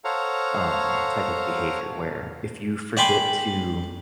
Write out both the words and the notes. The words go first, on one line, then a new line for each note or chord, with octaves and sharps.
um, type of behavior where if you forget to,
A4 C5 C#5 F5 F#5 A#5
D5 G5 G#5 B5 C6 D6